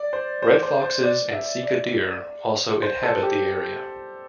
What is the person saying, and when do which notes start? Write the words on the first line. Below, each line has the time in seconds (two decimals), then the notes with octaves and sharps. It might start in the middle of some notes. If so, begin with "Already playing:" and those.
Red foxes and sika deer also inhabit the area.
Already playing: D5
0.13 C5
0.42 C5
0.63 C5
0.82 C5
1.03 D5
1.33 E5
1.63 D5
2.82 C5
3.03 A4
3.23 G4